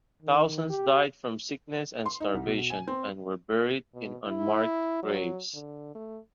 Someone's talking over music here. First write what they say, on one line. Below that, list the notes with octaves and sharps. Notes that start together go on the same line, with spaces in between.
Thousands died from sickness and starvation and were buried in unmarked graves.
D#3
G4
C6
D#4
C2
B2
G#5
C4
B2
E4
F#3
D3
A3